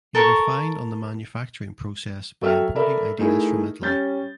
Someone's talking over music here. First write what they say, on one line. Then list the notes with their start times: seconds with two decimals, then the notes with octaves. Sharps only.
He refined on the manufacturing process by importing ideas from Italy.
0.15 A4 A#4 A5 C#6
2.42 F#3 A4 E5 G5 F6
2.75 A4 A#4 D5 E5 B5
3.18 A3 D#4 E4 G#4 A#4
3.82 G3 C#4 G6 A6